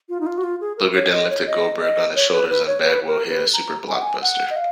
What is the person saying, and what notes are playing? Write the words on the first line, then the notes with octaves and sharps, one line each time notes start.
Luger then lifted Goldberg on his shoulders and Bagwell hit a Super Blockbuster.
F4
D#4
F4
F#4
F4
G#4
A#4
C#5
D#5
C#5
D#5
D#5
C#5
B4
B4
C#5
B4
A#4
B4
A#5
G#5
F#5
G#5
F#5
D#5
F5